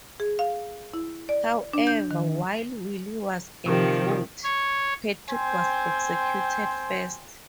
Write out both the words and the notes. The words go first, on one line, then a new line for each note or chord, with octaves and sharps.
However, while Willie was en route, Patrick was executed first.
G#4
F5
E4
D5
D4
G6
D#3
C3 D#3 F3 G4
C#5
C4 C5 G5 G#5